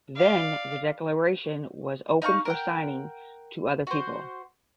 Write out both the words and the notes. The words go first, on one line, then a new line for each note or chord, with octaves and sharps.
Then the "Declaration" was opened for signing to other people.
D5 F5
D#4 F5 A#5 C#6
A#4 F#5 G5
F#4 C5